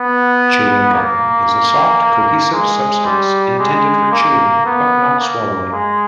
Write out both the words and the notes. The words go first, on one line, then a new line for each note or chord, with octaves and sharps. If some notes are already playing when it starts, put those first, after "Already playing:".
Chewing gum is a soft, cohesive substance intended for chewing but not swallowing.
Already playing: B3
A#3
G#3
G3
G#3
A#3
B3
A#3
G#3